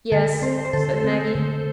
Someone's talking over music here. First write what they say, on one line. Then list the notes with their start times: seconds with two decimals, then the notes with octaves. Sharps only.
"Yes," said Maggie.
0.12 D3 A4
0.42 C4 C5
0.65 C5
0.73 D3 A4
1.04 C4
1.35 D3